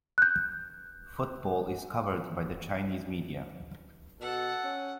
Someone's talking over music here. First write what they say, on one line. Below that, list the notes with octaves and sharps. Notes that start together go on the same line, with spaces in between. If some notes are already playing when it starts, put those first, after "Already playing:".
Football is covered by the Chinese media.
F#6 G6
B2 A4 F#5
C#4